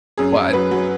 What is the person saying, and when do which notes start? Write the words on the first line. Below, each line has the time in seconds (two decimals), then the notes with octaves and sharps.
Well, I
0.18 F#2 G#4
0.36 F#2
0.53 F#3 B4
0.71 F#3